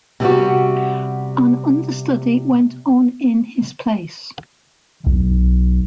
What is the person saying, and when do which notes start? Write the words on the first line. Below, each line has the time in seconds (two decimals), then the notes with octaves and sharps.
An understudy went on in his place.
0.20 C3 G3 B3 F#4
5.07 B1